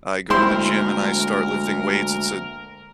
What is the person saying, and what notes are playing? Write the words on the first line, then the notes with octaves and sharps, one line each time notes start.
I go to the gym and I start lifting weights, it's a
D2 G#3 A#3 C4 E4 A#4 C6